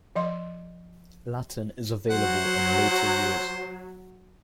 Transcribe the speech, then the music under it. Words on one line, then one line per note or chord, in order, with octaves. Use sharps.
Latin is available in later years.
F3 D#5 C6
F#3 C5 F#5